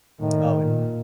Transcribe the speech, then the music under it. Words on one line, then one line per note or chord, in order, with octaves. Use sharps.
Oh, it
A2 D#3
A#2